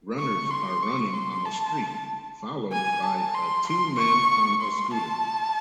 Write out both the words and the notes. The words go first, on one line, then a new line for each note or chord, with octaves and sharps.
Runners are running on a street, followed by a two men on a scooter.
C#6
C6
C#6
C6
A5
G#5
A5
C6
C6
C#6
C6
A5